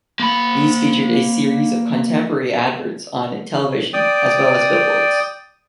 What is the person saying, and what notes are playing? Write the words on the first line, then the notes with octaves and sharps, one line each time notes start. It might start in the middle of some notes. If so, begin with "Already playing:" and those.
These featured a series of contemporary adverts on television, as well as billboards.
A#3 B5
D5 G5 D#6